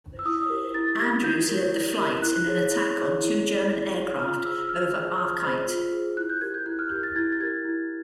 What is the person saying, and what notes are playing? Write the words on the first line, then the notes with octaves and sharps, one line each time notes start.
Andrews led the flight in an attack on two German aircraft over Achiet.
E6
E4 D#6
G4 A#4
E4 A6
G4 A#4 G#6
E4 G6
G4 A#4
E4
G4 A#4
E4 F#6
G#4 C#5
E4
G#4 C#5
E4
G#4 C#5
E4
G#4 C#5
F4 F6
G#4 C5 E6
F4 F6
G#4 C5
F4 F6
G#4 C5
F4
G#4 C5
E4 F#6
G6
G4 A#4 G#6
G6
E4 F#6
F6
G4 A#4 G6
A6
E4 G#6
A6
G4 A#4 G#6
E4